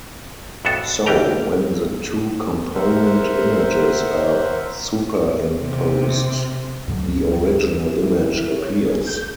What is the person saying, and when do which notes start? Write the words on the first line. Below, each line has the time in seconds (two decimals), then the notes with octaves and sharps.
So, when the two component images are superimposed, the original image appears.
0.65 F2 A2 B3 D4 F#4 A4
1.06 C#2 E3 G3 G4 G5 A#5
2.74 A#4 C5 E5 F#5
5.58 C3
6.88 D2 G2 D3 F#3
7.98 E4
8.56 C#5
8.86 G#4
9.06 G6